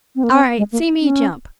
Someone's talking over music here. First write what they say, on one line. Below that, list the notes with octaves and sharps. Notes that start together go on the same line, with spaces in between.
All right, see me jump.
C4
A#3
C4
G#3
A#3
C#4